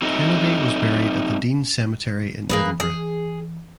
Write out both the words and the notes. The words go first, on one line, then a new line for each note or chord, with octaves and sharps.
Kennedy was buried at the Dean Cemetery in Edinburgh.
F#3 C4 D#4 A4 D#5 E5
E3 A#3 G#4 B4
G#4